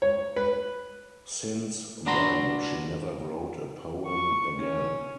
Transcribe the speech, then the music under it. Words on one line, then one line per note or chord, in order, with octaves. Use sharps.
Since then she never wrote a poem again.
C#5
B4
D4 F#4 B4 A#5 C6
C#6
C#4